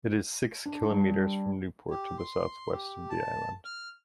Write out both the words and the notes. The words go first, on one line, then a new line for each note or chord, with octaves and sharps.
It is six kilometres from Newport in the southwest of the island.
D4
G3
G3
G4
C6
G4
A5
F6